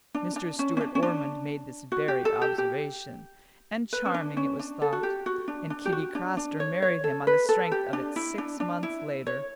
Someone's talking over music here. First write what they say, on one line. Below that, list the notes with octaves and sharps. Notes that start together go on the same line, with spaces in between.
Mr. Stuart Ormond made this very observation; and charming it was thought; and Kitty Craster married him on the strength of it six months later.
D4
D4
C#4
C#4
D4
C#4
D4
F#4
G4
A4
G4
G4
B4
C#4
D4
C#4
D4
A4
F#4
G4
F#4
D4
D4
G4
F#4
D4
D4
C#5
C#5
A4
B4
A4
G4
D4
E4
D4
D4
E4
C#5